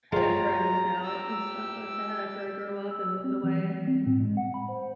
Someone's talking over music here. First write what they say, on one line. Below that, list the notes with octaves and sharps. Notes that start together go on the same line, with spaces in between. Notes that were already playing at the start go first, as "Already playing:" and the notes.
after I moved out and stuff like that, after I grew up and moved away,
F3 G#3 F4 C#5 G5 A#5
G4 E6
E6
C4
E3
G3
C4
A2
G#3
F#5
B5
C5